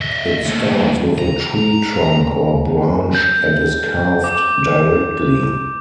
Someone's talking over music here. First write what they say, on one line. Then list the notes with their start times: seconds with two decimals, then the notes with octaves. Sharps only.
It starts with a tree trunk or branch and is carved directly.
0.01 D#5 E5
0.44 D#2 A3
1.18 A#5
3.15 G6
4.24 D6